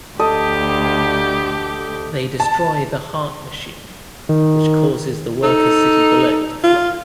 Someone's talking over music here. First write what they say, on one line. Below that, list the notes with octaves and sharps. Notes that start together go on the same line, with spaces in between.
They destroy the Heart Machine, which causes the workers' city below to flood.
D2 G4 A4 D#5
A5
D#3
D#4 A4
F4